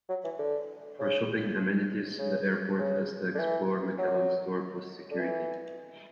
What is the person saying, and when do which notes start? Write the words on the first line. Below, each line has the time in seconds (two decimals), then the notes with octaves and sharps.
For shopping amenities, the airport has the Explore McAllen store post-security.
0.09 F#3
0.24 E3
0.39 D3
0.99 C#3
2.19 C#3
2.79 C#3
3.35 D3
3.39 E3
3.99 F#3
5.11 D3
5.19 E3